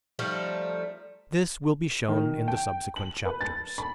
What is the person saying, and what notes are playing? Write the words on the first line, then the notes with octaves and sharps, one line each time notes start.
This will be shown in the subsequent chapters.
F3 G3 A3 D#4
D#3
G5
F#7
B4
A6
B5